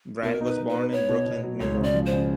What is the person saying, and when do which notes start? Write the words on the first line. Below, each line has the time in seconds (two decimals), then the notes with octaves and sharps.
Brand was born in Brooklyn, New York.
0.23 B2 A#4
0.41 D#4 B4
0.57 D#4
0.69 B4
0.75 B3
0.92 B3 C#5
1.09 B2
1.26 B2
1.43 F#3
1.60 C#2 C#5
1.77 C#3
1.83 D5
1.95 F3
2.06 C5
2.13 C#3